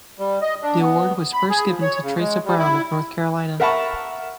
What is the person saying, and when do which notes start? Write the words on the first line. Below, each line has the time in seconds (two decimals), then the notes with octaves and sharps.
The award was first given to Tresa Brown of North Carolina.
0.19 G3
0.42 D#5
0.63 D4
0.80 B3
1.33 B5
1.50 G#4
1.68 F3
1.82 C#5
2.03 C#3
2.19 G#3
2.45 G3
2.59 E4
3.60 A#4 E5 F#5 A5 B5 C#6